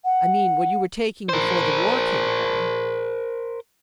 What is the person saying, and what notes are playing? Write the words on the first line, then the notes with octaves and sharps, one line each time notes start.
I mean what you were taking before the war came along.
F#5
A#4 C5